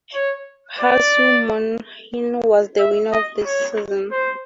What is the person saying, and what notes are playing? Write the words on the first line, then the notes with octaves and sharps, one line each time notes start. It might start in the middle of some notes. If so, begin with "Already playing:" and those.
Hsu Mon Hnin was the winner of this season.
C#5
D5
E5
D#5
C#5
C5